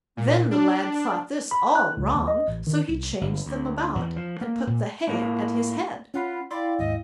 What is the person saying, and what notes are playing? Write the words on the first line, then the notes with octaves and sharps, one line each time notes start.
Then the lad thought this all wrong, so he changed them about, and put the hay at his head.
A#2
D4
B5
F#6
C#2
D#2
D#5
A1
D#3
C2
G1
D2
E2
F3
A#3
A#2
A2 A#3
C#4 F4 F#5 B5
E4 D5 F5 G5 B5 C6
D#2 G#2 D#5